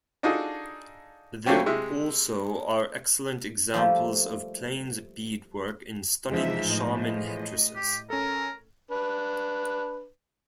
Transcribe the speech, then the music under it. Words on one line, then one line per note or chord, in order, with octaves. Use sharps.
There also are excellent examples of Plains beadwork and stunning shaman headdresses.
D4 D#4 F4 F#4 G#4 A4
F#3 A3 A#3 C4 C#4 G4
C3 G#3 E5
F3 G3 A3 A#3
E2 E3 F3 G#3 D#4 E5
A2 D#5
G4
C#4 A4 A#4
D4 B4